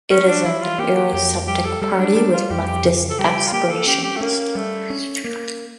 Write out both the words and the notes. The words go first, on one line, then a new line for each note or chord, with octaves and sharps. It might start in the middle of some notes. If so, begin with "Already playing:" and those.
It is an eurosceptic party with leftist aspirations.
G3 C#4
D4
E3 E4
F4
A#3 G4
G4
F2 G4
G3 G4
A4
G3 A4
C#4
D4
G3 D4
F4
F2 G4
G4
C#3
A4
G3 G4
F4
A#3 G4
A4
C#4 G4
G4
A3
A#3 C#4
G3 A3
C#4
A#3